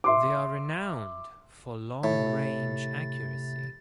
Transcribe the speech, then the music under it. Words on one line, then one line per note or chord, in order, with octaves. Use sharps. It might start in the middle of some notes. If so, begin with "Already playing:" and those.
They are renowned for long-range accuracy.
E5 C6 D6
A2 C3 A6